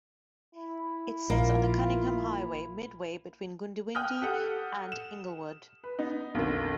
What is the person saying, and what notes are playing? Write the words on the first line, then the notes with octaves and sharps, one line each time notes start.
It sits on the Cunningham Highway midway between Goondiwindi and Inglewood.
E4
A#1 A#3 F4
G5 D#6 F6 F#6
G4 A4 F#5
E7
B4
B3 D#4
B1 F2 B2 D3 D#3